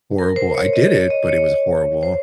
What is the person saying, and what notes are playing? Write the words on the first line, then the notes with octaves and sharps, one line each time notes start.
horrible. I did it, but it was horrible.
A#4
C5
C#5
D#5
C#5
D#5
C#5
C5